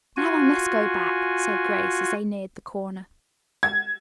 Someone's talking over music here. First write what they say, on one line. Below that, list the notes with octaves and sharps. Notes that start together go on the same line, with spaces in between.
"Now I must go back," said Grace, as they neared the corner.
F4 F#4 G#5
G#6